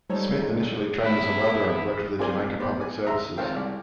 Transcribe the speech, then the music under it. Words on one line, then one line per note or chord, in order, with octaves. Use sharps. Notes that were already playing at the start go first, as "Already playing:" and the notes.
Smith initially trained as a welder and worked for the Jamaica Public Services.
F3 G3 G#3 D#4 A4 C#5
E2 E4
C4 F4 G#4 A#4 D5 G#5
B3 C5 D5 G5
D5 G#5
E5 A#5 C6
G#1 C#2 C4 A#4 F5 G5
C2 D5